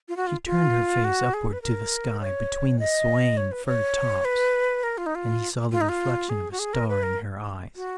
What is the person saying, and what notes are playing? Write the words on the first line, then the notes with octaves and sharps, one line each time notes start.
She turned her face upward to the sky between the swaying fir tops and he saw the reflection of a star in her eyes.
F4
F#4
F4
F4
F#4
G#4
B4
A#4
C#5
D#5
C#5
B4
C#5
B4
A#4
F4
D#4
F4
F4
D#4
F4
G#4
F#4
G#4
A#4
B4
A#4
F#4